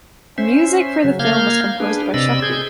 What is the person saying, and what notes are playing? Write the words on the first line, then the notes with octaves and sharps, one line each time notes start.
The music for the film was composed by Chakri.
C#4 C5 E5
C#3 F#3
A#3 F5 F6 G6 G#6
D4 G#4 B4
C3 C4 D5 D#5 B5 E6
G#4 G6 G#6